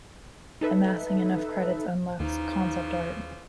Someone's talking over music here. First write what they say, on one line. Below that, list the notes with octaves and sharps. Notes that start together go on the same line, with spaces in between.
Amassing enough credits unlocks concept art.
D#4 A4 B4 E5
D#2 C#3 E3 F3 D#4